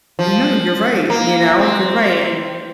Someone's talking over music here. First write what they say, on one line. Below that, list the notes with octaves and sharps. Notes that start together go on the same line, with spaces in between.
No, you're right, you know? You're right, and
F3
A#3
C4